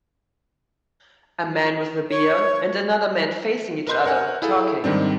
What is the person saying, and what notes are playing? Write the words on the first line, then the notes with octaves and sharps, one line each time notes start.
A man with a beer and another man facing each other, talking.
C#5
A#4 B4 D#5 C6 F#6 G6
A#4 C#5 F#5 G#5
E4 G#4 A4 F5
G#2 D#3 G3 C4 D4